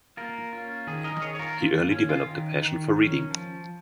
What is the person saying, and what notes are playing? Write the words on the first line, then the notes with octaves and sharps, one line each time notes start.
He early developed a passion for reading.
A#3 F4 A#4
C#4 F4
D#3 G#4
A#4 D#5
D#3 G#4 C#5
C#5
F4 A#4
A#3 F4
C#4
F4
D#3
D#3
C#4
F3